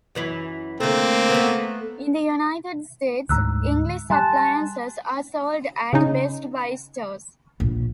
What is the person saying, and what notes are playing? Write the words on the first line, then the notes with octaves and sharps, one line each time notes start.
In the United States, Inglis appliances are sold at Best Buy stores.
F#2 E3 E4
D3 A3 A#3 C4
A3 B3
D2 G#2 A#5 E6 F#6
G3 G#5 A5 C6 F#6
C#3 C#4 D#4
A#1